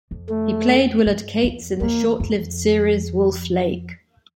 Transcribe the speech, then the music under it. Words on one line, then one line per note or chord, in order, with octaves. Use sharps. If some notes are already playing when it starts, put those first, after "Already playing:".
He played Willard Cates in the short-lived series Wolf Lake.
F2
A3
G2
F2
E2 A#3
F2